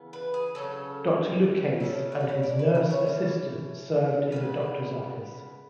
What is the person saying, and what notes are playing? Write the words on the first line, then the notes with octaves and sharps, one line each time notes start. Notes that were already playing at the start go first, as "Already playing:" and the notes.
Doctor Lucase and his nurse assistant served in the doctor's office.
Already playing: C#3 E3 B3
B4
G#4
C#3 F#3 C#4 A4
C#3 F#3 A3 C#4 A4
C#5
B4
C#5
D5
B4
B4
C#5
E3 A3 C#4
C#3 G#3 B3 B4